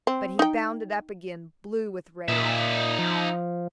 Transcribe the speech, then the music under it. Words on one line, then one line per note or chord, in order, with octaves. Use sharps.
But he bounded up again, blue with rage.
C4
D#4 G5
A#2 D#4 E5
F3